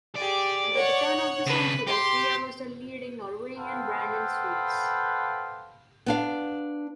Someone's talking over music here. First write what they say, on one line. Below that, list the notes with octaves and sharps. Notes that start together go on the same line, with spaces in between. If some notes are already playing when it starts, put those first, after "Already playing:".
By the turn of the century, Freia was the leading Norwegian brand in sweets.
G4 G#4 D5
C#5 F#5
C#3 D4 B4
G4 C6
B3 A4 B4 C5 F5 G5
B3 D4 F5